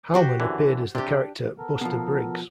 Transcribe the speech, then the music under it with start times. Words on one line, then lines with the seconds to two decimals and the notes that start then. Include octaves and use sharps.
Howman appeared as the character Buster Briggs.
0.14 F#4 G4 C5
0.40 F#2 D3 E3
0.95 C3 D4 G4
1.58 B3 A4 A#4
1.81 B2 F3